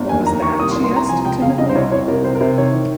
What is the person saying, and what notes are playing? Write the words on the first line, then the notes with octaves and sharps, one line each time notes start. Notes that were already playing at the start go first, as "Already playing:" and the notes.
What was that? she asked, timidly.
Already playing: G1
D#2 G#5
D#2 A#5
D#2 C#6
C2 D#6
C6
C2
C6
C2 A#5
F3 G#5
C#2 G5
C#3 F5
C2 D#5
C5
C2 C#5
C2 C#5
C2 A#4
C3 C5
A#4
C3 C5
D#3 C#5
D#3